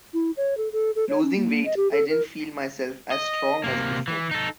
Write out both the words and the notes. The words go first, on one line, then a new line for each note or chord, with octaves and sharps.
Losing weight I didn't feel myself as strong as before.
E4
C#5
A4
A4
A4
C#5
C#4
A#3
D#5
G4
A4
A#4
D#5
C3 A#3
E3
D#4 A4